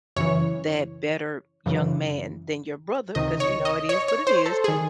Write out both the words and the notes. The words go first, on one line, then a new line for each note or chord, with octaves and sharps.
that better young man than your brother, 'cause you know it is what it is,
F#2 C#3 E3 C#5
F#2 C#3 E3
C#2 C3 D#3 D#5
C#5
D#5
C#5
C#5
C5
A4
D#3 G#4